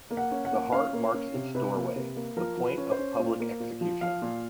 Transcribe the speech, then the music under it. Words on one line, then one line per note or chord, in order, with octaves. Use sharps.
The heart marks its doorway: the point of public execution.
A#3
F#5
C#4
F#5
A#3
C#4 F5
A#3
C#4
C3
C3 B4
A#3
C3
A#3
F3 A#4
F3
B4
C#4
C5
C#4
A#2
A#3
A#2
F3
F3 F5
A#2